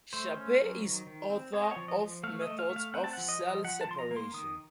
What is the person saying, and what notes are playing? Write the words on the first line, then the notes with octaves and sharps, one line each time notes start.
Sharpe is author of "Methods of Cell Separation".
A3 C5
C#4
F#3
D#3
D#3
C4
C4 C#5
D#5
C#5
F3
D#5
F3
A3 F5
D#5
A3
F5
A3
F5
C4 F#5
A5
F3 F#5
D#5
F3
F3 F#5
A5
F3 C6
A#5
A#3
C6
D#3 D#6